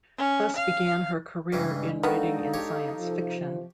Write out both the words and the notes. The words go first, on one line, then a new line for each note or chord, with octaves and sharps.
Thus began her career in writing in science fiction.
C#4
F5
G2 C#3 E3 G#3 D4 D#5
D#3 B3 D#4 F#4 A4 F5
G4 C#5
C3 F3